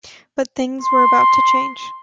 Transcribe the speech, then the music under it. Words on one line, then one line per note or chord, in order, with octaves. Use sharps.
But things were about to change.
C6